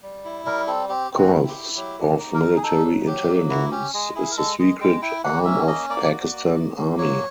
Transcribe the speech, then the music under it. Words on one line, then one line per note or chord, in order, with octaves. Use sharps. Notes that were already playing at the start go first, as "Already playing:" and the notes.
Corps of Military Intelligence is the secret arm of Pakistan Army.
G3
E4
G3 A#4
C4 A4
C4 G4
C4
F#4
E4
G4
E4
F#3 G4
A#3
D#4
A#4
D#4
G#4
D#4 A4
F#3
F#3 G4
A#3
E4 F#4
C#4 G4
G#3 G#4
E4 G#4
A#4
G#3 A4
G#3 D#5
G#3 G5
E4 G5
A#3 F#5
C#4 E5
A#3 D#5
A#3 D5
F#4
A#3
A#3
A#3
F#3 C#5